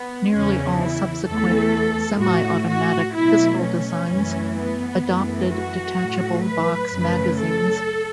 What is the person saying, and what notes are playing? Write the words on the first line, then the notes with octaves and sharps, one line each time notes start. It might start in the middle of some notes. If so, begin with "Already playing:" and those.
Nearly all subsequent semi-automatic pistol designs adopted detachable box magazines.
Already playing: B3
E2 C#3 E3 C#4
E4
E2 E3 A3 A4
A2 A3 F#4
F#4
B2 F#3 A3 E4
C#4
F#2 E3 A3
B3
F#2 E3 A3
F#4
A2 F#3 A3
B4
F#2 C#3 A3
A4